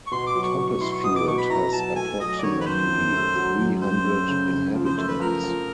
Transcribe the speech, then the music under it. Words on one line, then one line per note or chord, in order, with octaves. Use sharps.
Toppesfield has approximately three-hundred inhabitants.
C#6
B2 C6
D6
F#3
C#6
B2 C#6
C#6
E4 C6
C#6
B2 D#6
D6
B2 C#6
B5
E4 A#5
F#3 A5
A3 G#5
F#3 D#5
D5
D#3 C#5
B4
F#2 C5
F#2
A3
F#3
F#2
F#2 C5
A3
C#3
C#3
F3
C5
A3 C5
B4
F3 A#4
F3